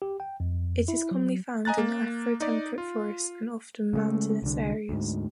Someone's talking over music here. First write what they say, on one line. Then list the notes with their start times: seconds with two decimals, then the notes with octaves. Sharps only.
It is commonly found in afro-temperate forests and often in mountainous areas.
0.02 G4
0.20 G5
0.40 F2
0.88 E4
1.11 F#3
1.65 D#5 G#5 A#5 F#6 A6
1.78 A#3
2.40 D#4 D5
2.78 F4
3.93 C#3 G#3 A3
4.43 C2 D3
4.89 D2 G#2